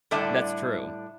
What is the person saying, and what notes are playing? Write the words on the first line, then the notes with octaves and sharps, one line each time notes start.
That's true.
A2 D3 G3 D4 E5 A5